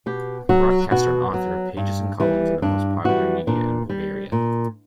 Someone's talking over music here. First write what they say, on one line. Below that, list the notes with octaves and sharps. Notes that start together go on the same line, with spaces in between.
Broadcaster and author of pages and columns in the most popular media in Bulgaria.
B2 G4
F#3 F#4
B2 F#4
F#3
G2
E3 G3
G2 D4
E3 G3 F#4
A#2 D4
G3
A#2